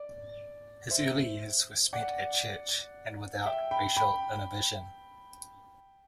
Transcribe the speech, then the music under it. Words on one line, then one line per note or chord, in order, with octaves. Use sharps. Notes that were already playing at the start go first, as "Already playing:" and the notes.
His early years were spent at church and without racial inhibition.
Already playing: D5
C5 E5
D5 F#5
E5 G5
G5 B5
G5 B5